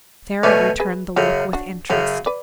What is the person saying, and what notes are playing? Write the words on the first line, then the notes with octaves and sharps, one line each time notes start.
Sara returned the look with interest.
B2 A3 C#4 B4 D5
G#4 B4
F#2 C#3 F#3 F#4 A4
D4 F#4
F#2 C#3 F#3 F#4 A4
B4 D5